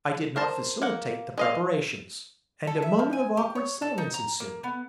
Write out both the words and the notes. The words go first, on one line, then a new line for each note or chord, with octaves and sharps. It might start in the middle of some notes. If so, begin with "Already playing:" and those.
I did not facilitate the preparations, and a moment of awkward silence ensued.
A#4 C5 A5
A#3 F#5
G#3 D#5 F5
A4
E5
F3
G#5
G4
C#5
A4
D#4
A#5
A#3
B3